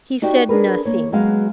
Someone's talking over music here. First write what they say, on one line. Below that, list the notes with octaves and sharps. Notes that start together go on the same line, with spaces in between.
He said nothing.
D#4 F#4 G4 D5
D4 G#4 A#4 B4
A#3 C#5
F#3 G#3 B3 F#4 F5